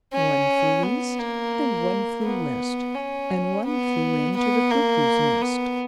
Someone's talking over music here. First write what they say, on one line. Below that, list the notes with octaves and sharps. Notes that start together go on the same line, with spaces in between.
"One flew east and one flew west. And one flew into the cuckoo's nest."
C#4
B3
A#3
B3
C#4
B3
B3
A#3
B3